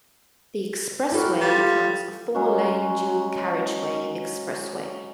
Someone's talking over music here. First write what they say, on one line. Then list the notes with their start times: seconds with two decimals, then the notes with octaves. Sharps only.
The expressway becomes a four-lane dual-carriageway expressway.
1.12 E4 F#4 G4 A4 A#4
1.41 G3 F4
2.35 F#3 G#3 C#4 F#4